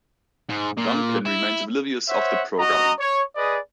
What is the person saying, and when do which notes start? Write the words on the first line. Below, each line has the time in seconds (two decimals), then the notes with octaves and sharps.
Duncan remains oblivious of the programming.
0.50 G#2
0.78 A#2
1.26 E4
2.08 C5 C#5 E5 F#5
2.58 F#4 D#5 A#5
2.99 C#5
3.36 G#4 B4 D5 D#5